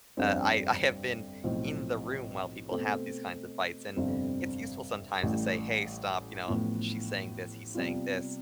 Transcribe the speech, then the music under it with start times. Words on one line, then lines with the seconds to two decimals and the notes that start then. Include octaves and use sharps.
Uh, I I have been in the room while people have these kinds of fights, and it's useful sometimes to say, "Hey, stop." You know, "She's saying this. He's saying this.
0.17 G1 F2 D3 G3 C4
1.43 B1 A2 F3 C4
2.70 B2 A3 C4
3.96 G1 F2 C3 G3 C4
5.22 A1 A2 G3
6.48 A1 A2 F3 B3
7.75 C3 G3 B3 F4